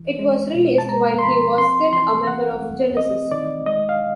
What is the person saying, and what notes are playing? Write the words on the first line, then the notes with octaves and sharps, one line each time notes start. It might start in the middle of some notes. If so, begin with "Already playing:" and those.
It was released while he was still a member of Genesis.
Already playing: E3
G#3
B2
A5
G#3 A#5
C6
F3 B5
C4 C6
E3 C6
E3 F#5
A3
C4 D#5
D#3 D5
G#3 D#5
F5